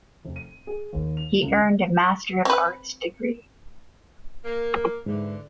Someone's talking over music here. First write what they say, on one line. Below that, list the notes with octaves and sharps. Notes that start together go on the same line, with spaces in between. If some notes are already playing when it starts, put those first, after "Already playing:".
He earned a Master of Arts degree.
F1
D#7
G#4
D#2
F7
C#2
C4 B4
A#3
G#2 D3 E3